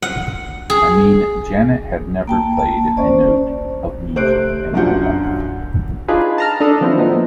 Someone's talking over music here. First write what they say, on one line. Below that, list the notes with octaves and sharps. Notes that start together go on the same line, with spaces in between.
I mean Janet had never played a note of music in her life.
F#5
G#4
A#3 G5 A5
A#3 A5
C#4 C5 D5
C3 A3 C5 F#6 D7
B1 F#2 D4 F4 F#5 G6
D4 D#4 F4 G#4 B4
A5 A#5 F6
D4 A4 D#5
D#3 F3 B3 C4 E4
A#2 F3 B3 D#4